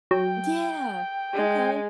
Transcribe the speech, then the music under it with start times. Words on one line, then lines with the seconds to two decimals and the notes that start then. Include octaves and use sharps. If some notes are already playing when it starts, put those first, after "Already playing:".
Yeah, okay,
0.11 F#3 G5
1.33 G#3